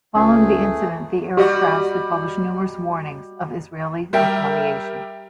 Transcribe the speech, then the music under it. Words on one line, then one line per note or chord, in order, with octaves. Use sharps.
Following the incident, the Arab press had published numerous warnings of Israeli retaliation.
C#2 A3 C#4 G#4
G3 F#4 G4 D#5
G3 G4 A#4 E5 G5